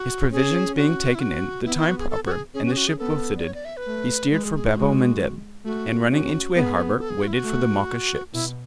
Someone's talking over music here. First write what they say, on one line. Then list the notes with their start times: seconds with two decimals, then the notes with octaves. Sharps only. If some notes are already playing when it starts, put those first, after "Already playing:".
His provisions being taken in, the time proper, and the ship well fitted, he steered for Babel-Mandeb, and running into a harbor, waited for the Mocha ships.
Already playing: F#4
0.31 C#4 G#4
0.77 F#4
1.15 E4
1.20 F#4
1.65 B3 E4
1.77 E4
1.88 F#4
1.99 G#4
2.10 A4
2.26 F#4
2.32 G#4
2.54 C#4 G#4
2.66 F#4
2.72 G#4
2.77 F#4
2.87 G#4
2.98 B3 A4
3.37 D5
3.43 C#5
3.54 D5
3.65 E5
3.77 B4
3.87 A3
4.32 G#3 B4
4.44 G#4
4.55 G#4
4.65 E4
4.77 G#3 F#4
5.65 A3 F#4
6.10 C#4 F#4
6.55 B3 G#4
6.99 A4
7.10 G#4
7.22 F#4
7.27 E4
7.33 F#4
7.44 A3
8.33 B2 E4